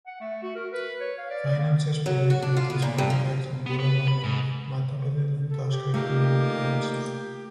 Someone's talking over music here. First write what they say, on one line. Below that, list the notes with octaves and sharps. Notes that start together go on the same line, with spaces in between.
Finances permitting at his franchise in Bulawayo, the Matabeleland Tuskers, he remained coach there.
F#5
A3
F#4
A#4
B4
C#5
F5
D5
D5
A#3
F#3
F#4
D4
F4
B3
A#2
G2
F3
B3
B4
B5
G#2
A4
G4
A#2 D#3 A3 A#3 G4